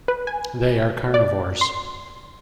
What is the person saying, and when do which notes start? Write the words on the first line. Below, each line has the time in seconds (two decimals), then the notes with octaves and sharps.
They are carnivores.
0.08 B4
0.27 G#5
1.14 D5
1.61 C6